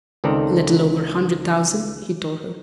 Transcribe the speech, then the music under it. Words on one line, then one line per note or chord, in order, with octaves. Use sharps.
"A little over a hundred thousand," he told her.
C#2 D#3 C4 A4 D5 A#5